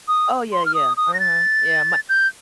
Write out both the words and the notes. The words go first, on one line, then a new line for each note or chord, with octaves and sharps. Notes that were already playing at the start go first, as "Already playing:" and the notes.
Oh yeah, yeah, uh-huh. Yeah, my
D#6
C6
F6
D#6
D#6
A#6
A6
G6